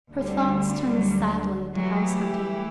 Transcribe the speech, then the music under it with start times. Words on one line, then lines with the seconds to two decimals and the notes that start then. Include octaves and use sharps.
Her thoughts turned sadly to house-hunting.
0.12 D2 D3 G3 D4
0.93 F#3
1.75 E3 F#3 A3 E4 G4